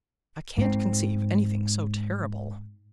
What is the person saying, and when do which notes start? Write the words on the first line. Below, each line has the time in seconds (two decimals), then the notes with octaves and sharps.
I can't conceive anything so terrible.
0.58 G#2 C4